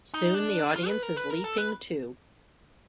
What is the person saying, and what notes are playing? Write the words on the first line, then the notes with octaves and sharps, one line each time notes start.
Soon the audience is leaping too.
D#4
D4
F4
B4
A#4
B4
A#4
A4
B4